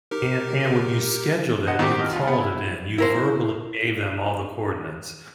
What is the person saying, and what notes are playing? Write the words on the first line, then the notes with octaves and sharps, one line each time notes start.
And and when you scheduled it, you called it in. You verbally gave them all the coordinates.
D#4 G4 A#4
C5 D#5 F#5
D#3 C4 F#4 G4
D#5 F6
C2 F4
B3
E4
E4 A#4 C5